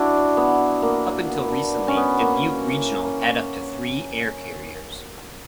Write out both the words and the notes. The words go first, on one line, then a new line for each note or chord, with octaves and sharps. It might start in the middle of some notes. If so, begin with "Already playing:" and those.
Up until recently, Dubuque Regional had up to three air carriers.
Already playing: D4 E4 F#4
B3
A#3
B3
D4
C#4
B3
A#3